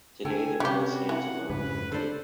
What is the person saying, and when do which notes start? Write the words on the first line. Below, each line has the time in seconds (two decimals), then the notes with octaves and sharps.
Today the mill stands alone and empty.
0.25 D3 A4 G5 G#5
0.60 C3 G3 C#4 F#4 G4
1.09 E3 F#5
1.50 F2 G#2 C#3 B4
1.92 D3 A4 C5 D5